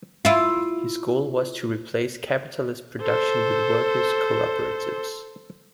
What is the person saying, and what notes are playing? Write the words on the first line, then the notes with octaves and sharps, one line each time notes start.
His goal was to replace capitalist production with workers' cooperatives.
E4 F4
A4 C5